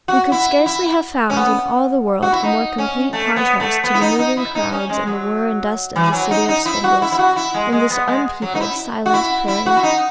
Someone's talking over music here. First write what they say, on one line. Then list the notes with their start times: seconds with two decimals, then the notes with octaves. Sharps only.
We could scarcely have found in all the world a more complete contrast to the moving crowds and the whir and dust of the City of Spindles, than this unpeopled, silent prairie.
0.08 F#4
0.32 E4
0.66 E4
1.30 C#4
1.37 B3
2.22 F#4
2.32 E4
2.43 D#4
2.78 C#4
3.13 A3
3.36 B3
3.60 A3
3.84 B3
3.94 E4
4.01 D#4
4.19 D#4
4.37 E4
4.55 D#4
4.72 C#4
4.90 G#3
5.07 F#3
5.96 E3
6.13 F#3
6.31 D#4
6.49 D#4
6.66 E4
6.84 F#4
7.02 E4
7.12 E4
7.19 F#4
7.36 E4
7.54 G#3
7.72 G#3
7.90 B3
8.08 G#3
8.42 F#3
8.55 D#4
8.60 E4
9.06 F#4
9.14 E4
9.48 E4
9.66 F#4
9.77 E4
9.83 D#4